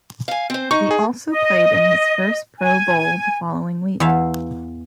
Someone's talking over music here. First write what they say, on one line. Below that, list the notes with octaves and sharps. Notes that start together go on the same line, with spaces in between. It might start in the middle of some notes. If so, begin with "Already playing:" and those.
He also played in his first Pro Bowl the following week.
F5 G#5
C4 C5
D#4 C#6
G#4
D#5
G#5
E2 E5 F5